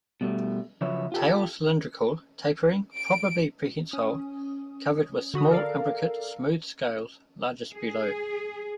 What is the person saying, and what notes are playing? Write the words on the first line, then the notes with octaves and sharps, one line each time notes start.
Tail cylindrical, tapering, probably prehensile, covered with small imbricate smooth scales, largest below.
B2 G3 A3
C#3 F3 F#3 B4 C#5 E5
F4 G4 A4
D7
C#4 D#6
D3 F#4 B5 D#6
A4 A#4 D5 F5
G#4